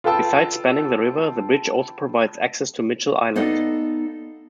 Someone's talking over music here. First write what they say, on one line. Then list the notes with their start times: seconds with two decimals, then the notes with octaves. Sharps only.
Besides spanning the river, the bridge also provides access to Mitchell Island.
0.04 F4 A4 B4 G5 A5 E6
3.36 B3 D#4 A4 D5 D#5 F5